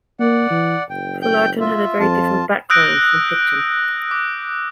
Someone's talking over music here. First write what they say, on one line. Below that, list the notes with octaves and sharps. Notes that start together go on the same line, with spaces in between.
Fullarton had a very different background from Picton.
A#3 D5 F#5
E3
F#1 G5
G5 G6
F4 E5
F2 F4 A5
D#6 E6 F#6 G6 A#6 D7
D6